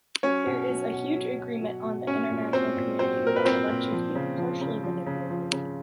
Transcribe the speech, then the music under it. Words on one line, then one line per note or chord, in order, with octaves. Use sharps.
There is a huge agreement on the international community about elections being “partially” manipulated.
F#3 C#4 C#5
B2
F#3
B2
F#3
B2
F#3
B2
F#3 C#4 C#5
A#2
F#3 C4 C5
A#2
F#3 C4 C5
A#2 A#4
B4
F#3 C4 C5
A#2
F3
C#3
F3
C#3
F3
C#3
F3
C#3